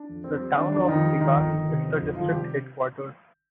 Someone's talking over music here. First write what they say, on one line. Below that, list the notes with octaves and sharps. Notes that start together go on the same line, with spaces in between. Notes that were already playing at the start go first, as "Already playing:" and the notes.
The town of Dewas is the district headquarters.
Already playing: D4
F2
F2 C4
G3
D#3 D4
F2 D4
F2 D#3 D#4
G3
F2 D#3 D#4
G1
D#3
C3
F2
G1
D#3 F3 F4
C3 G3 G4